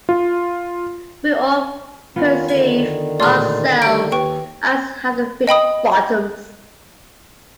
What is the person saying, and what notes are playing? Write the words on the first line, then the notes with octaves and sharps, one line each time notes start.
We all perceive ourselves as having big bottoms.
F4
D#3 B3 C#4 F4
D3 D#3 G#5
A1 A#2 G#4 D5 A5 C6 F6
G3 C#5 D7
D#2 B4 G5 C#6
D#5 G5 B5 D#6